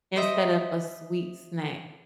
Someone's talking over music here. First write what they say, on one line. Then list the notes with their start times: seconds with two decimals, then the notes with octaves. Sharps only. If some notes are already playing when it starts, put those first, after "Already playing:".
instead of a sweet snack,
0.16 C5 D#5 E5